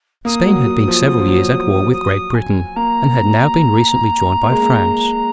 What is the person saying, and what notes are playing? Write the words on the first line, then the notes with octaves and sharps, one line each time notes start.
Spain had been several years at war with Great Britain, and had now been recently joined by France.
A#3 D#6
F#3
F#3
F3
F#3
F3
F#3
D#6
G#5
A#3 A#5
A#3
G#3
A#3